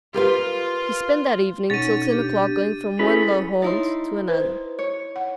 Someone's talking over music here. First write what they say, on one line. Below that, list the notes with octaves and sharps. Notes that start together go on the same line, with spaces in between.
He spent that evening till ten o'clock going from one low haunt to another.
F4 G4 A#4 B4
B2 C#4 D#4 A4 A6 D#7
D4 G4
A3 C#4 E4 G#4 A4 B4
D#4 E4 C#5 C6
B4 C5
C#5
F#5